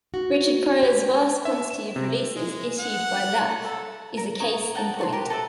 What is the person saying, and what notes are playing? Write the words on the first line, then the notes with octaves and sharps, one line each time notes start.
Richard Pryor's vast quantity of releases issued by Laff is a case in point.
F#4
G4
E5
E7
C3
G#3
F#5
A4
A#4
C#5 A#5 D#6
F#5 G5 A5 A#5
F#4 A5 C6
G4 A#4 B4
A4 B4 E5